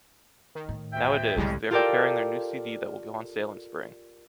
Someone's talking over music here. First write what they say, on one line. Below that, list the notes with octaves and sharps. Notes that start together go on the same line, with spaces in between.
Nowadays, they are preparing their new CD that will go on sale in Spring.
D#3
A2
D2 E5 G5
C2 F2 A2 D3 G3 G#3
F4 G4 A4 A#4 D5 G5